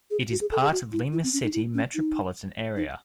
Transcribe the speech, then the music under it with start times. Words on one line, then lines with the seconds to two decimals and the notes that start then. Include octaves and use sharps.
It is part of Lima city metropolitan area.
0.11 G#4
0.31 F#4
0.41 G#4
0.52 A4
0.62 G#4
0.72 F#4
0.92 E4
1.12 E4
1.23 C4
1.33 C#4
1.44 D#4
1.54 E4
1.74 C#4
1.95 D#4
2.76 D#4